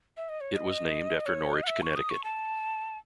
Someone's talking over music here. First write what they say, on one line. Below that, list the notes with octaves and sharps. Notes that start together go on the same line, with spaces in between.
It was named after Norwich, Connecticut.
E5
D#5
C#5
D#5
C#5
D#5
F#5
E5
C#6
D#6
C#6
A5